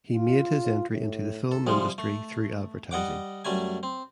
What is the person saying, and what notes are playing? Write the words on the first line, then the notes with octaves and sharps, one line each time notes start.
He made his entry into the film industry through advertising.
F4
A2
A4
C3 F3 G3 G#3
A3
G3 D#5 F#5 D6
F#2 G3 A3 G#5
C4